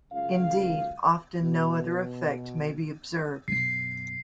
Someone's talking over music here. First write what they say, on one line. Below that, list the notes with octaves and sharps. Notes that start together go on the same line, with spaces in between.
Indeed, often no other effect may be observed.
C#2 F#2 F5
B2
F#2 B2 C7